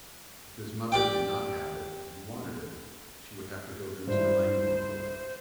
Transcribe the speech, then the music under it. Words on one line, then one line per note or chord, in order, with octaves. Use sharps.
If his mother did not have it and wanted it she would have to go to Mr. Langmore for it.
G4 D5 G5
G2 E4 C5